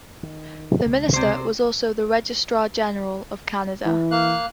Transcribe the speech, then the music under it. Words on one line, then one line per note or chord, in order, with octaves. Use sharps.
The minister was also the Registrar General of Canada.
D#3
C#2 B2
C3 C5
E3
A#3 F5 F#6